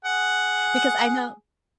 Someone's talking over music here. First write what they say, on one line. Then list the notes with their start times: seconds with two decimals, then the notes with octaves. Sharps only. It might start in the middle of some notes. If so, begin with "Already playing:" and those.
because I know
0.05 G#4 F#5